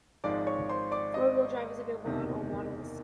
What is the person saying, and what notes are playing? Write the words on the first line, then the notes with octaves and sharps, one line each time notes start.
Four-wheel drive is available on all models.
G#1 G#2 F3 G#3 D5 D6
C#5 C#6
C5 C6
D5 D6
D#5 D#6
F#1 E2 C3 D#3